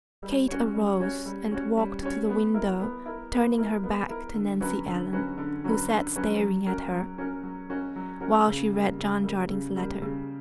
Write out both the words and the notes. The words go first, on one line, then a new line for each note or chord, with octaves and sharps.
Kate arose and walked to the window, turning her back to Nancy Ellen, who sat staring at her, while she read John Jardine's letter.
G3
C#4 F#4 C#5
G3
C#4 F#4 C#5
G3
C#4 F#4 C#5
G3
C#4 F#4 C#5
B3
E4 A#4
B3
E4 A#4
B3
E4 A#4
B3
E4 A#4
D3
F#3 C#4 F#4 B4
D3
F#3 C#4 F#4 B4
D3
F#3 C#4 F#4 B4
D3
F#3 C#4 F#4 B4
F#3
C#4 F#4 A#4
F#3
C#4 F#4 A#4
F#3
C#4 F#4 A#4
F#3
C#4 F#4 A#4
C#3
G3 A#3
C#3
G3 A#3
C#3
G3 A#3
C#3